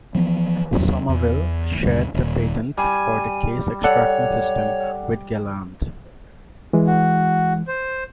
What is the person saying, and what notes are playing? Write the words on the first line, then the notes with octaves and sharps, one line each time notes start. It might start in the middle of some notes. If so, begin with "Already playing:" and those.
Sommerville shared the patent for the case extracting system with Galand.
E3 F3 B3
D#2 F#3
E2
D2 G2 C#3 G3
D#1
G3 G#5
A4 C#5 D5 F#5
E3 G#3
F#4
C5